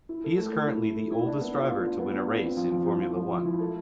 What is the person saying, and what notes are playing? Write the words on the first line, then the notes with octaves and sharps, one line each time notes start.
He is currently the oldest driver to win a race in Formula One.
E4
A4
A3
A4
E4
E4
A4
E4
D4
B3
F4
F4
D4
B3
D4
F4
C4
F3
F3
E4
F3
F3
F3
E4
A4